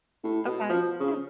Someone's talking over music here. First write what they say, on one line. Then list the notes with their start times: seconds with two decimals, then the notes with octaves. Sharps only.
Okay, yeah.
0.24 A2
0.46 B2
0.69 F3
1.00 C#3